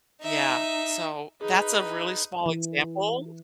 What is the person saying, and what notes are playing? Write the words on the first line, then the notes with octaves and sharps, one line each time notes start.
Yeah. So that's a really small example.
D#4 E5
D#4 G#4 B4
E3